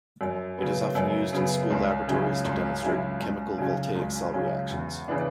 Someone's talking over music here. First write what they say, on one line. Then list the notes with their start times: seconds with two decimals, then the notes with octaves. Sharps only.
It is often used in school laboratories to demonstrate chemical voltaic cell reactions.
0.21 F#2
0.58 C#3 F#3 B3
0.95 F#2
1.33 C#3 F#3 B3
1.71 C#2
2.08 C#3 F#3 C#4 E4
2.45 C#2
2.83 C#3 F#3 C#4 E4
3.20 C#2
3.58 C#3 F#3 C#4
3.95 C#2
4.33 C#3 F#3 C#4
4.70 E2
5.08 C#3 E3 B3 D4